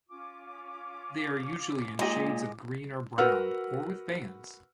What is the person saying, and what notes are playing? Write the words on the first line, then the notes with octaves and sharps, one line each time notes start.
They are usually in shades of green or brown or with bands.
C#4 F4 D6
A#2 G#3 D#4 G4 D#5
F#4 A#4 B4 F#5 E6 F6